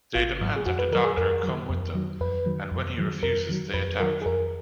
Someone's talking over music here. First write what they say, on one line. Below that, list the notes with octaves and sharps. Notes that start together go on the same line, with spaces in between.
They demand that the Doctor come with them, and when he refuses they attack.
G#1 F4
G#2 F#3
G#4
F2 F#4
B4
D#3 F#3 A#4
G#4
F2 A#4
D#3 F#3
F2
D#3 F#3
F2 B4
D#3 F#3
F2
D#3 F#3
F2 A#4
D#3 F#3
F2 B4
D#3 F#3 A#4
G#4
F2 A#4